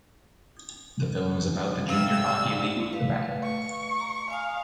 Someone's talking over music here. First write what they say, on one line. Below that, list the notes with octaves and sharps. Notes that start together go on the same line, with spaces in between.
The film is about the Junior Hockey League of Quebec.
C3 G3 F5 E6
A3 B4 F5
C#6
A#5
F5 G#5 D#6